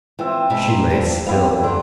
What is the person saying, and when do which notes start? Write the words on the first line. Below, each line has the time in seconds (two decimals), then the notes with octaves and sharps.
She lay still.
0.19 E3 C4 F4 E5 G5
0.50 B2 G#3
0.67 A#2
0.91 D3 F3 G3 A5
1.26 F2 B3 E4 G4 F5
1.63 F#2 D3 C5 D5